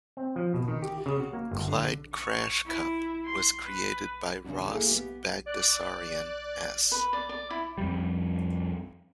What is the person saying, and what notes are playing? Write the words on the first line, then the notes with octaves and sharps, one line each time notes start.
Clyde Crashcup was created by Ross Bagdasarian S.
C4
F3
B2
D#3
G4
C#3
F#4
A#3
G1
D3
C#6
E4
C6
B4
E2 C#3 C#4 D4 F#4
A#3 C#4 E4 G#4 A4 F5
B3 G4
D5 F#6
B4
D5
D5
E4
F2 G3